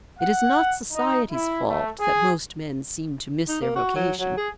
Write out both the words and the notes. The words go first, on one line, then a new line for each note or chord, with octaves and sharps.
It is not society's fault that most men seem to miss their vocation.
F#5
D#4
E4
A3
G#4
D#4
A#3
F#4
F#3
F#3
G#4